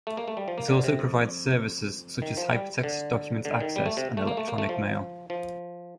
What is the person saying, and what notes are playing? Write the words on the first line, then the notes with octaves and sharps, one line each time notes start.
It also provides services such as hypertext document access and electronic mail.
A3
A#3
A3
G3
F3
A#3
D3
C3
F2
D#3
F3
G3
D3
D3
D#3
G3
A3
C3
A3
A#3
A3
A#3
A3
F3
F3